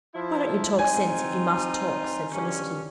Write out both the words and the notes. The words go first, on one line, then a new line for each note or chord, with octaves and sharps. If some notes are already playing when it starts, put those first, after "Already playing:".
"Why don't you talk sense, if you must talk?" said Felicity.
F3 E4
C4 D#4 F4 G#5
G2 C#4